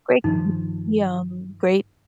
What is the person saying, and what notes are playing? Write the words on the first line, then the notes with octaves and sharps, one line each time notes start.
Great, m yum, great
G2 D#3 F3 D#4